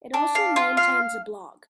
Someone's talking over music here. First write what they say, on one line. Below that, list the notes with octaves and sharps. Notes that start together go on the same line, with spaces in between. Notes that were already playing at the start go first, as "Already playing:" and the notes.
It also maintains a blog.
D4
F5
F4
F5